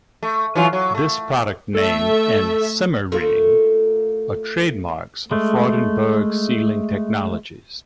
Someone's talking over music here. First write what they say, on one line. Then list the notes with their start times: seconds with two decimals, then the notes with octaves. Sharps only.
This product name and "Simmer-Ring" are trademarks of Freudenberg Sealing Technologies.
0.23 A3
0.55 E3 F#3 F4
0.73 F#3
0.95 A3
1.75 A3 A4 E5
3.12 A3 A#3 F4
5.31 G#3 A3